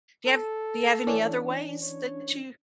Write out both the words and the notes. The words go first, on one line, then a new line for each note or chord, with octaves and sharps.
Do you have do you have any other ways that you
A4
E3 C#4 D4
C#5